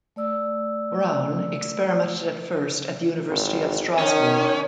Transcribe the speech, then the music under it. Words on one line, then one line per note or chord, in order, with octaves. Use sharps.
Braun experimented at first at the University of Strasbourg.
A3 D5 E6
G#1
D#3 C#4